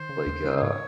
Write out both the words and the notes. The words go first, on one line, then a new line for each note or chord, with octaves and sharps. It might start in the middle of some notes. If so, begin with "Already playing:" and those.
Like, uh,
Already playing: D#3 C5
C#3
D#2
C#3
C5
G#2 C#5